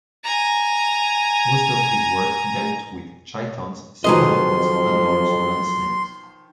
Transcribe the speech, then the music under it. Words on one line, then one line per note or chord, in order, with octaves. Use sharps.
Most of his work dealt with chitons, cephalopods, and also land snails.
G#5 A#5
F2 D#3 F3 F#3 G#4 B4 D#5 C6